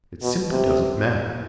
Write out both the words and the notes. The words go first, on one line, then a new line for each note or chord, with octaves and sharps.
It simply doesn't matter.
B2
C3